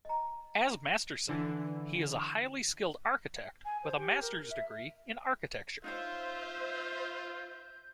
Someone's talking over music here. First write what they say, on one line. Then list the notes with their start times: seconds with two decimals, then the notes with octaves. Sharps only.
As Masterson, he is a highly skilled architect, with a master's degree in architecture.
0.05 D#5 A#5
1.29 D3 E3
3.65 G#5
3.84 C5
3.98 G4
4.22 A#4
4.50 E5
5.84 D#4 F4 C5 C#5 E5 F5 G6